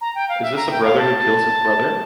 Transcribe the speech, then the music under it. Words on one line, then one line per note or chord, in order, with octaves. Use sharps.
Is this a brother who kills his brother?
A#5
G5
F5
E5
A#5
G5
F5
A5